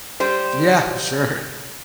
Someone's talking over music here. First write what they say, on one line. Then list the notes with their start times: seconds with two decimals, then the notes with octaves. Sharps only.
Yeah, sure.
0.20 G3 C5